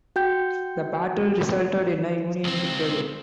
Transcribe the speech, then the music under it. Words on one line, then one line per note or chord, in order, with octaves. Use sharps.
The battle resulted in a Union victory.
F#4 G5 G6
C#2 C4